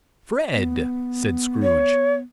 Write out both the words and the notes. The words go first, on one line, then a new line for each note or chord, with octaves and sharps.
"Fred!" said Scrooge.
B3
C#5